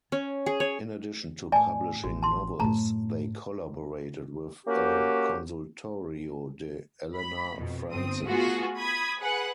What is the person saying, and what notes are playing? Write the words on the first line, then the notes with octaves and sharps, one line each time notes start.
In addition to publishing novels, they collaborated with El Consultorio de Elena Francis.
C#4
G#4
C#5
A2 D5 G#5 A5
A1 F3 F#4
A5 C6
F#2 A2 A5 A#5
A#3 C#4 F#4 G4
B5
F2 B2
G1 C4 D#6
A3 B3 F4 F#4 G#4
B5 D#6 G#6 B6
G#4 B4 F#5